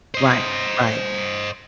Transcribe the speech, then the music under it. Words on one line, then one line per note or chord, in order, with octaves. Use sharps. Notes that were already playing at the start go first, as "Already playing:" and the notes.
Right, right.
C5 D#5